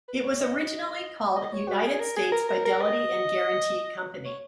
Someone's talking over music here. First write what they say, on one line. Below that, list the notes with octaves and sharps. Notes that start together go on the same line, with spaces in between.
It was originally called United States Fidelity and Guaranty Company.
B4
C#5
D#5
D#5
C#5
F#4
G#4
G#4
A#4
G#4
A#4
A#4
A#4
D#5
C#5